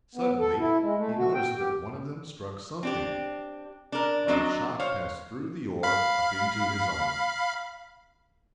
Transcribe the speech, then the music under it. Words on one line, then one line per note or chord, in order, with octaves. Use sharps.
Suddenly he noticed that one of them struck something, and the shock passed through the oar up into his arm.
B3
A4
E4
G#3
A3
F#4
G5
G4
C4 D4 G4
D4 A#4
F#3 C4 D4 F#4 D#5
C5 C#5 F5
F5 B5